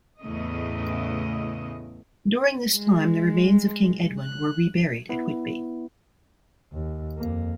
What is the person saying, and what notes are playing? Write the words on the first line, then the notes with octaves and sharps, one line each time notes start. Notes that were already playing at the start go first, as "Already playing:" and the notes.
During this time, the remains of King Edwin were reburied at Whitby.
E2 A2 C#3 A3 D#5
G#3
F#6
B3 E4
D#2
F2 A#3